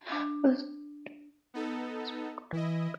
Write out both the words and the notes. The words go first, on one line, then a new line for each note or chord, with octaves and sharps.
Walker's primary motto in life and most famous quote was "think big".
D4
B3 D#4 A4
E3 E4 D#5